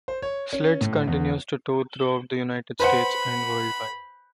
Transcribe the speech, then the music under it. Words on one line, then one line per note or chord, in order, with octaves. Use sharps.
Sledge continues to tour throughout the United States and worldwide.
C5
C#5
C#4
A2
E2
B4 C5 F#5 B5